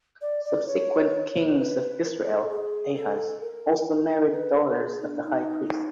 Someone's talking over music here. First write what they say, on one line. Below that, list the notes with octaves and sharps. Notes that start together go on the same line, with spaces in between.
Subsequent kings of Israel, Ahaz, also married daughters of the high priest.
D5
D5
C#5
B4
A#4
A4
G#4
A4
A#4
B4
A#4
A4
G#4
D#4
D4
D#4